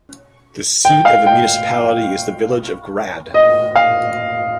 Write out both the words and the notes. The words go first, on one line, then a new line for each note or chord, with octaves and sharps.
The seat of the municipality is the village of Grad.
G5
F5
G5
D#5
F5